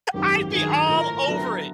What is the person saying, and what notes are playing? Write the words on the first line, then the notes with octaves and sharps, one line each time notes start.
I'd be all over it.
G#1 F#2 D#3 G4
G2 D#3 F#3 G#4
A2 F3 A3 A#4
D3 F#3 B3 E4 A4